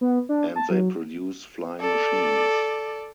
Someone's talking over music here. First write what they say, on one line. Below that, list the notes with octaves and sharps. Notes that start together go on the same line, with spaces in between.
And they produced flying machines.
B3
D4
A5
F#3
A4 D5